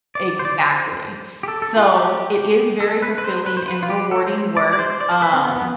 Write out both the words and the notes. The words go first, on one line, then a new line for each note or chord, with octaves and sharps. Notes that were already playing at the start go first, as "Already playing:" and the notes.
Exactly, so, it is very fulfilling and rewarding work, um,
D5
C5
D5
C5
G4
A4
A4
F4
G4
A4
B4
B4
C5
B4
C5
B4
F4
G4
A4
C5
D5
D5
C5
D5
C5
B4
C4
B3
B3